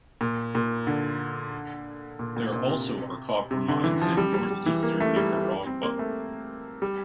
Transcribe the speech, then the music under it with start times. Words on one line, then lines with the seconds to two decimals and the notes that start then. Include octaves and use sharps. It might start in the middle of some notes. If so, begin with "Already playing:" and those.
There also are copper mines in northeastern Nicaragua.
0.21 A#2
0.55 A#2
0.87 D3
2.19 A#2
2.36 A#2
2.52 A#2
2.68 C3
3.51 C3
3.68 D3
3.84 E3
4.01 F3
4.17 G3
4.34 G3
4.50 G3
4.66 E3
4.83 A#3
5.00 A3
5.16 G3
5.33 A3
5.67 C4
5.83 A#3
5.99 A3
6.82 G3